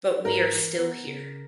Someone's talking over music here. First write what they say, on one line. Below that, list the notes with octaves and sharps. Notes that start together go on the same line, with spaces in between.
But we are still here.
G#2 A#4
E3
B3
C#3